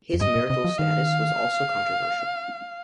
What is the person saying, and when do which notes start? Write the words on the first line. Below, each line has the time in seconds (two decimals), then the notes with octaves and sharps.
His marital status was also controversial.
0.14 F2
0.21 G2 D#5
0.36 A#2
0.50 C3 D#5
0.64 F3
0.78 D#3 F5